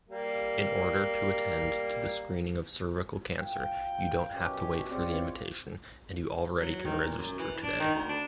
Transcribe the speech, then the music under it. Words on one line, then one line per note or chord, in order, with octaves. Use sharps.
In order to attend to the screening of cervical cancer, you don’t have to wait for the invitation and you already can register today.
G3 A#3
F4 F5 G5
F#2 B2 C#4 G4
G#3 C4 F4 C#5 D5
F#3
D#3
A#2
F#2
E3
D4
D#3
D2
D4